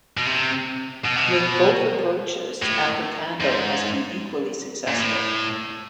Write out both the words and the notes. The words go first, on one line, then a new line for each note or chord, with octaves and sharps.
With both approaches, Africando has been equally successful.
B2
C3
B2
C3
B2
A2
G#2
A#2
A2